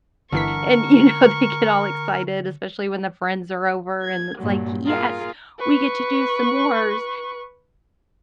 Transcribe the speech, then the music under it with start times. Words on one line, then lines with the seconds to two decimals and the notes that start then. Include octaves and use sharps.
and, you know, they get all excited, especially when the friends are over, and it's like, "Yes. We get to do s'mores."
0.32 G1 D3 E3 A#4 C#6 B6
4.02 G#6
4.39 G2 A#2 F#3
4.85 F4 G#4 A#4 F5
5.59 B4 C#6